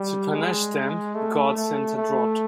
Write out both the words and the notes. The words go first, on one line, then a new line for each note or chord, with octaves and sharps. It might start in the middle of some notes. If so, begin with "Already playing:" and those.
To punish them, God sent a drought.
Already playing: G3
G#3
A3
A3
A3